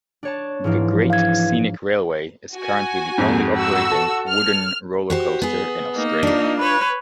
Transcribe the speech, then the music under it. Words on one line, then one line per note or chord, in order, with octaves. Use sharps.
The Great Scenic Railway is currently the only operating wooden roller coaster in Australia.
D4 C#5 A5
G#2 E3 F3 A#3
F5 G#6
F#4 G#5
F2 G#2
F#4 E6
A4
F6
F#4 G4 C5
B3 G#4
A#3 D#4
D4 F4
B4 C#5